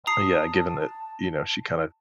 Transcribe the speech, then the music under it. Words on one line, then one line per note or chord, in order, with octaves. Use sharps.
Yeah, given that, you know, she kind of
A5 A#5 D#6 C7